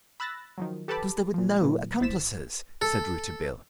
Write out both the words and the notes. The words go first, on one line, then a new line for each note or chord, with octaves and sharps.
"Because there were no accomplices!" said Rouletabille.
B5 E6 F#6 A6 A#6
D#3 F3 F#3
G4 A4 B4 A5 B5 D6
A#2 F3
A#2 E3 F#3 A#3
G#1 E4 C5 A6 B6 E7
A4